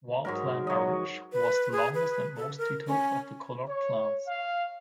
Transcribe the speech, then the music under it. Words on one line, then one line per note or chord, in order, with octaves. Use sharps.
War Plan Orange was the longest and most-detailed of the colored plans.
G#2 F#3 A#4
F#3 C#5 D#5
B4
G#4
B4
A4
A#4
C#4
C#5
F5